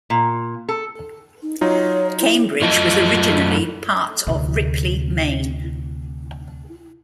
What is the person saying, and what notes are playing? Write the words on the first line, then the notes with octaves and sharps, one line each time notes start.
Cambridge was originally part of Ripley, Maine.
A#2
A4
D#4
F#3 D#4 F4 C#5
E4
F#2 F#3 A3 F4 D#5 A5
D2 C3